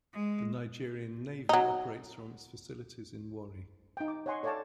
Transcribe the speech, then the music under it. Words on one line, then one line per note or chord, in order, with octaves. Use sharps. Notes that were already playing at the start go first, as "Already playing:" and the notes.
The Nigerian Navy operates from its facilities in Warri.
G#3
F#3 D#4
D#4 G5
D6
C#5 D#5 F#5 G#5 C6 C#6
A4 C#5 D5 F5 G5 A5